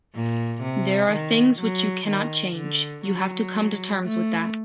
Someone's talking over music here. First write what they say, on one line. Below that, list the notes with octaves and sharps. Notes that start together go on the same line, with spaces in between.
There are things which you cannot change, you have to come to terms with that.
A#2
C3
D#3
F#3
D#3
D3
F#3
A3